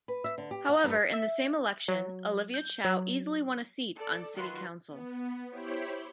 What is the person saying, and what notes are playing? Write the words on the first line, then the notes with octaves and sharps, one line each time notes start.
However, in the same election Olivia Chow easily won a seat on city council.
B4
E5
D3
G4
F#5
G2
E5
F#3
G6
F#3
A4 D5
D#3 F#3 F4 F#4 B4 C6
B3
E4 G4 C5 C#5 G5 B5